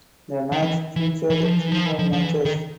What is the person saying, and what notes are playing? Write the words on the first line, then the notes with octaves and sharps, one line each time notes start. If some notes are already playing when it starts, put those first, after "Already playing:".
The match featured three more matches.
D#3
E3
E3
E3
F3
E3
F3
E3
F3
F3
E3
D#3